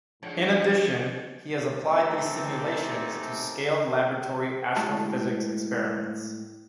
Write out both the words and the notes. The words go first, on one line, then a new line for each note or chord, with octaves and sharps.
In addition, he has applied these simulations to scaled laboratory astrophysics experiments.
G#2 D3 F3 C#5 F#5 G5
F#2 C3 A3 D#4 G4 A4
A2 G#3 F#4 A5